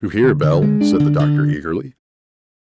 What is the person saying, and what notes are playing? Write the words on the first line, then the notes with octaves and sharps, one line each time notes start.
"You hear, Bell," said the Doctor, eagerly.
D3
D3
G#3
D4
D3
D3